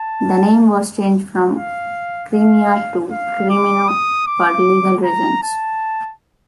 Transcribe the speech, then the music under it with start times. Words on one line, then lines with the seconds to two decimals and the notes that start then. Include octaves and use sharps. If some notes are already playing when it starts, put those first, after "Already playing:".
The name was changed from Chimera to Camino for legal reasons.
Already playing: A5
1.56 F5
2.34 F5
3.11 F5
3.50 D6
3.88 D#6
4.27 D6
5.05 A#5
5.43 A5